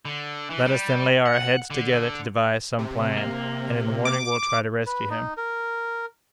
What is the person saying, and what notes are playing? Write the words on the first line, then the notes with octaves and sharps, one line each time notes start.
"Let us, then, lay our heads together to devise some plan, and in the morning we'll try to rescue him."
D3
E3
G3
F#5
D3
C3
A#3
D6
B4
D#4
A#4